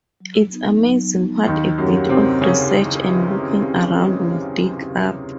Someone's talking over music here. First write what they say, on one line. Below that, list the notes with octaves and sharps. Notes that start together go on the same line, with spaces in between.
It's amazing what a bit of research and looking around will dig up.
F#3
B3 D#4
F#3
B3 D#4
D#2 D#3 D#4
F#2 F#3 G4 A#4 C#5 F#5
C3 C4 D#4
C#3 C#4 G4 A#4 C#5 F#5
E4
G4 B4 E5
E4